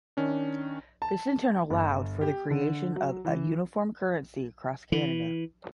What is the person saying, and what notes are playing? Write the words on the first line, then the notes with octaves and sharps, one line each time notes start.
This in turn allowed for the creation of a uniform currency across Canada.
D#3 C#4 D4
A5
G1
G4
D3
F#3
E3
E3